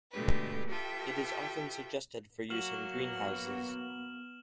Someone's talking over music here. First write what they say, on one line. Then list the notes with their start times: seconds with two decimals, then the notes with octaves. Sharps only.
It is often suggested for use in greenhouses.
0.11 B2 D3 G#3 A3 G4 B4
0.68 F4 G4 A4 B4 E5 G5
2.50 F#3 A#3 F#4 F6 E7 F#7
2.97 B3